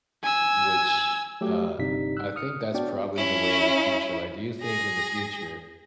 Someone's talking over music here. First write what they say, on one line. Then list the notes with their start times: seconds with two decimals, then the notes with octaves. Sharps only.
which, uh, I think that's probably the way of the future, like, do you think in the future
0.23 G#5 E6
1.41 F#3 A3 G4
1.79 G1 G2 C3 G3 D#4 B6
2.17 E6 F#6
2.36 D#6 F6 C#7
2.74 B3 D4 F#4 C#5 D5 G5
3.16 C#4 E4
4.62 G#4 A#6